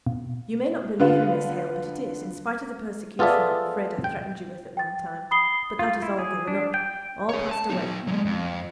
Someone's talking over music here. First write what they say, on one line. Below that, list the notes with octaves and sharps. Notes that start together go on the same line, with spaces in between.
You may not believe me, Miss Hale, but it is--in spite of the persecution I'm afraid I threatened you with at one time--but that is all given up; all passed away.
B2
D3 B3 F4
B3 F4 G#4 A4 D5 E5
G5
G5 A6
B5 D#6 C7 G7
F4
E4
G#4
D4
G5
G#4 C#5
A5
B3 D#4
F#3 G#3
F2